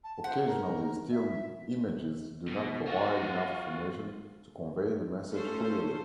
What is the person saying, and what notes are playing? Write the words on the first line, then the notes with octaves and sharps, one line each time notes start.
Occasionally still images do not provide enough information to convey the message clearly.
A5
C5 F#5
A#4
E5
B2
F4 F#4
A3 C#4 F4 A4 C5